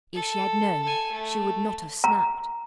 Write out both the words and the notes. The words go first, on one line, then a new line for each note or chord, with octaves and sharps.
If she had known she would not have snapped.
A4
A4 G#5
A3
A#5